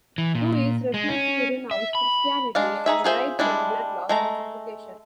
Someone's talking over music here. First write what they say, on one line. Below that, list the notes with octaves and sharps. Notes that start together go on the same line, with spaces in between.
Ruiz refused to renounce Christianity and died from blood loss and suffocation.
E3
A#2
G#3
C#4
E5
B5
G#3 D4 F5
D#4 G#4 E5
F4 G#4 C5 E5
G3 G#3 D4 E4
G#3 A3 A#5